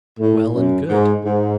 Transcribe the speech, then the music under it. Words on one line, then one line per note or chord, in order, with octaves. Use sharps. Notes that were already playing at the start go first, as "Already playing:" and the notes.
Well and good.
A2
F#2
G#2
G#2